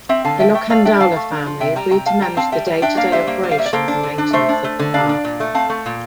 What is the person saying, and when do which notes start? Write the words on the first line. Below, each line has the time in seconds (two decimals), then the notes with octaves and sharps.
The Lokhandwala family agreed to manage the day-to-day operations and maintenance of the park.
0.09 C4 E5 G5
0.25 D3 F5 A5
0.39 F3 E5 G5
0.54 A3 E5 G5
0.70 A3 D5 F5
0.85 D4 E5 G5
1.00 F3 F5 A5
1.16 A3
1.31 D4
1.46 F3
1.60 C3 E5 G5
1.76 G3 G5 A#5
1.91 C3 G5 A#5
2.06 G3 F5 A5
2.21 G3 G5 A#5
2.37 C4 F5 A5
2.52 G3 E5 G5
2.66 G3
2.82 D4 E5 G5
2.97 A#3 D5 F5
3.12 G3 C5 E5
3.27 A#3
3.43 G3
3.51 F5
3.58 A#3 E5
3.66 D5
3.73 A#3 A4 C5
3.88 D4
4.03 D3
4.18 D4
4.33 A3 C5 E5
4.49 D4
4.64 A3
4.79 D3
4.94 D4 D5 F5
5.09 D4
5.24 A#2
5.40 A3
5.54 C4 F5 A5
5.70 A3
5.86 A#2